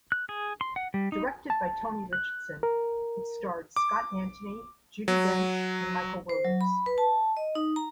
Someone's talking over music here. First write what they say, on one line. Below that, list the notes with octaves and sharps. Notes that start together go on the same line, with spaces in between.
Directed by Tony Richardson, it starred Scott Antony, Judi Dench and Michael Williams.
F#6
G#4
C6
F#5
G3
D#4
A5
F#6
A#4
D6
F#3
C5
F#3
B5
B4
A5
D#5
D#4
A#5